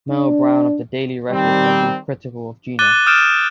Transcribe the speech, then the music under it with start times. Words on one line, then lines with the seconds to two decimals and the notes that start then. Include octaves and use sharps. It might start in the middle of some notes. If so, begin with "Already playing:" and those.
Merle Brown of the "Daily Record" has been critical of Gina.
0.11 D4
1.30 D#3 G3 C4
2.79 D6 F#6 A6 D#7 G7
3.06 D#6 F6 G6 A6 D7 E7